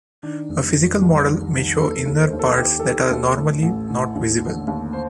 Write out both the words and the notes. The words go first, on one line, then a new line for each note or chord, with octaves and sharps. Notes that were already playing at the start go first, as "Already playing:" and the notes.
A physical model may show inner parts that are normally not visible.
D#3 D4
F1
F1
C2
D#3
D#3
D#2 A4
A4
D#2
C5
D#2
A4
D#3 G4
A4
D#3 G4
D#2 A4
A2
A1
A2
D#2
D3
D#2
C5